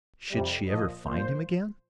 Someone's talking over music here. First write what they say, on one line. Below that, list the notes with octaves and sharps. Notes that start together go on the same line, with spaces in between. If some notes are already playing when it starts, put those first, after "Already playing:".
Should she ever find him again?
F2 C3 G3
A#2 F3 D#5
A#2 F3 C5